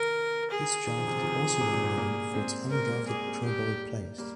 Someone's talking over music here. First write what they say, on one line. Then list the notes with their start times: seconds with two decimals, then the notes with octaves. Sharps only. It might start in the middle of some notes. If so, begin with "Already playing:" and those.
This draft is also well known for its undrafted Pro Bowl players.
Already playing: C3 D#3 A#4
0.51 G#4
0.87 D#3
0.97 F3
1.07 C3 D#3
1.18 F3
1.23 C3 D#3
1.61 C3
1.72 A#2
1.83 G#2 C3
1.97 G3 A#3
2.34 G#3 C4
2.71 A#3 A#4
2.81 G#3
2.91 G3 A#3
3.08 A#3 G#4
3.17 C4
3.27 G3 A#3
3.39 G#3
3.45 G3 A#3 G4
4.18 G3 A#3